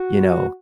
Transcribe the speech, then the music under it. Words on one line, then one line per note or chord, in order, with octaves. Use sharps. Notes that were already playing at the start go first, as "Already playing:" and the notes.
you know,
Already playing: F#4